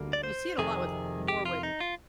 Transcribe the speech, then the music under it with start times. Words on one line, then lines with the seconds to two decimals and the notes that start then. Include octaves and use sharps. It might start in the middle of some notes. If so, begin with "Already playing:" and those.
y you see it a lot with more with
Already playing: D2 D3 G3 A#3
0.13 D5
0.23 C5
0.58 F2 C3 D#3 G#4
1.28 G4
1.45 F4
1.63 D#4
1.80 F4